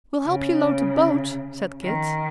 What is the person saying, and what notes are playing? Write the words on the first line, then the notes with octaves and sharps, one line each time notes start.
"We'll help you load the boat," said Kit.
C#3
D#3